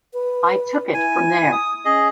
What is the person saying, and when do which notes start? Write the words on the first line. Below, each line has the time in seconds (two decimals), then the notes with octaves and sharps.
I took it from there.
0.13 B4
0.94 E4 G#5
1.52 D#6
1.85 C#4 G#4 D#5